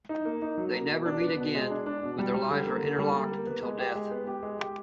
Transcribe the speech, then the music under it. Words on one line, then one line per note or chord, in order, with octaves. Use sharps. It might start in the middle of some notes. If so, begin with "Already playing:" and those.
They never meet again, but their lives are interlocked until death.
D#4
A#3
D#4
F#3
A#3
B2
D4
B3
B2
G#3
D4
D4
B2
G3
G3
D3
A#3
D3
G3
A#3
A#3
B3
G#3
G4
G#3
B3
G4
G#3
G4